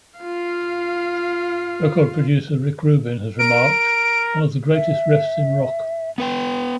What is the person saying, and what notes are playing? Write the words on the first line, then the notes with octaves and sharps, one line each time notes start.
Record producer Rick Rubin has remarked, One of the greatest riffs in rock.
F4 F5
A#4 D7
E5
B3 B4 G5